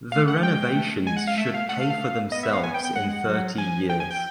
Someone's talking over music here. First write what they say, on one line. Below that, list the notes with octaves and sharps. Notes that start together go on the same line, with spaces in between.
The renovations should pay for themselves in thirty years.
A3 F5
F#5
G#3 G5
A3
G#3 G#5
F#5
F5
A3 E5
F5
A3 F#5
F5
F5
B3 D#5
E5
F5
G#5
G5
G5
G#3 F#5
F#3
F3 G#5
G5
G#5
G5